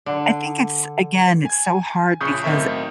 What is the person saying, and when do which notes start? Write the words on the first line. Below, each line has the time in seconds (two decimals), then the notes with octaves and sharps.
I think it's again, it's so hard because
0.06 D3
1.45 G#5 G#6
2.20 A#1 C#3 C#6 D#6 G6
2.44 B1 A2 D#3 C4 E5